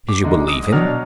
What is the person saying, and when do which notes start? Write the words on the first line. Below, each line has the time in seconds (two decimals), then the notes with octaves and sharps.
"Did you believe him?"
0.09 D6
0.24 D3 G#3 D#4
0.48 D#6
0.72 B2 F#3 D4 F6